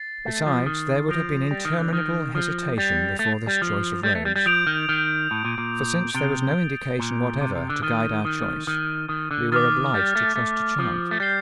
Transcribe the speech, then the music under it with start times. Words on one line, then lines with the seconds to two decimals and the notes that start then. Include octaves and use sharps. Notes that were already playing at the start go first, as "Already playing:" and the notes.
Besides there would have been interminable hesitation before this choice of roads; for since there was no indication whatever to guide our choice, we were obliged to trust to chance.
Already playing: A6 C7
0.25 A3
0.46 F3
0.66 D#3
1.08 F3 D#6 G6 A#6 D7 F7
1.51 G3
1.65 D#3
1.79 D3
1.93 D#3
2.35 F3
2.78 G3 A6 C7 F7
3.19 A3
3.47 G3
3.62 F3
4.03 G3
4.15 A3
4.25 G3
4.36 G3
4.46 F3 D#6 G6 D7 F7
4.67 D#3
4.89 D#3
5.31 A2
5.45 A#2
5.58 A#2
6.14 C3 A6 D7 G7
6.99 A#2
7.41 C3
7.55 C3
7.70 D3
7.83 D#3 F6 A6 D#7 G7
8.25 D#3
8.67 D#3
9.09 D#3
9.31 D3
9.52 D#3 D6 F6 A6
9.94 G3
10.16 A3
10.36 A3
10.79 F3
11.11 A3
11.20 G3 G6 C7 G7